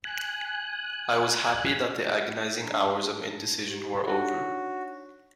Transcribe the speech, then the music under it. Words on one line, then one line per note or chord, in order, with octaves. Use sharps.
I was happy that the agonising hours of indecision were over.
G#5 F#6
D4 A5 A#5
G4
D4 D#4 F#4 C#5